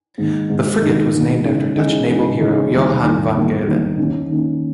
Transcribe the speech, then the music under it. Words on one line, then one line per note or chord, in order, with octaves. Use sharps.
The frigate was named after Dutch naval hero Johan van Galen.
G#2 D#3 A#3
G#2 D#3 A#3
G#2 D#3 A#3
G#2 D#3 A#3
C#3 E3 G#3 D#4
C#3 E3 G#3 D#4
C#3 E3 G#3 D#4
C#3 E3 G#3 D#4
E2 D#3 G3 A#3
E2 D#3 G3 A#3
E2 D#3 G3 A#3
E2 D#3 G3 A#3
D#3 A#3 C#4
D#3 A#3 C#4